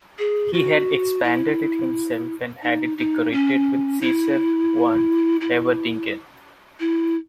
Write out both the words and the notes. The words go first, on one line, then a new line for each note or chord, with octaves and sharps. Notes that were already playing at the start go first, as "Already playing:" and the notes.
He had expanded it himself and had it decorated by Caesar van Everdingen.
G#4
F#4
E4
D#4
D#4
C#4
E4
E4
E4